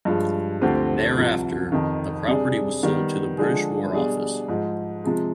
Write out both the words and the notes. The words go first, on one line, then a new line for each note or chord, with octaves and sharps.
Thereafter, the property was sold to the British War Office.
G2 F3 G#3
D2 D3 F3 C4 G4
C2 C3 F3
F2 C3 D#3
C3 G3 D4 G#4
D#3 G3 B3
D3 F3 G#3 D4 G#4
B2 G3 D4 G#4
G#2 F3 G#3
C3 F3 G#3